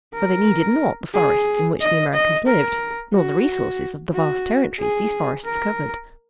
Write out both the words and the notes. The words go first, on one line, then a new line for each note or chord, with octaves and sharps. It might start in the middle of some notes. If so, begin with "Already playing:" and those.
For they needed not the forests in which the Americans lived, nor the resources of the vast territories these forests covered.
A#4
G#4
D#5
D#5
A#4
F#4
F#4
G#4
A#4